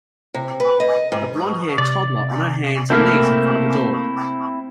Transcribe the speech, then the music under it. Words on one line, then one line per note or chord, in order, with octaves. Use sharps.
A blondhair toddler on her hands and knees in front of a door.
C3
B4
D#5
G#2
C3 D5
A3 A#3 C4 E4 F6